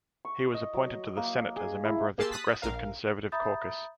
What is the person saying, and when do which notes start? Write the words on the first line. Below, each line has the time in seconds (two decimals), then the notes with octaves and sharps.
He was appointed to the Senate, as a member of the Progressive Conservative caucus.
0.25 C#6
0.54 D#5
0.74 F#3
1.17 A#3
1.56 G#4
1.85 E4
2.18 A#3 G4 G#4 A5 C6 E6
2.32 D#6 F#6 A6 B6
2.62 A#1 A#4 F5
3.32 E5 A#5 B5 D#6 G6 A6